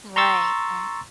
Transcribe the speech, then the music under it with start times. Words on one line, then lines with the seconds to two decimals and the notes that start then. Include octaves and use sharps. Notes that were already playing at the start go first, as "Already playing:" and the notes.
Right, right.
0.16 A#5 C6 C#6 E6 A6